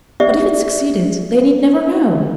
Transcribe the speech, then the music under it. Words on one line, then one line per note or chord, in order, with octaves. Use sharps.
'But if it succeeded, they need never know.
G4 D5 E5